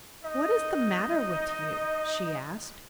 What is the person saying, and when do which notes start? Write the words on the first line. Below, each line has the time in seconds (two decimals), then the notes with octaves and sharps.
"What is the matter with you?" she asked.
0.22 D#4 D#5